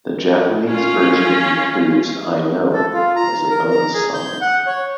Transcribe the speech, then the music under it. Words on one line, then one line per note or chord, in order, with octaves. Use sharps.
The Japanese version includes "I Know" as a bonus song.
C#4 F4
A4
F4
A#5
A#4
A#5
G#4
G6
F#5
C#5